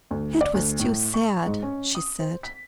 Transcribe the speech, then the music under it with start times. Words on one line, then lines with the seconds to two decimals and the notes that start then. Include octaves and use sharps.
"It was too sad," she said.
0.11 D2
0.41 D5
0.54 D2
0.79 A2
1.14 C#6
1.46 G#2
1.63 C#4
1.95 D#6
2.20 C5
2.43 B6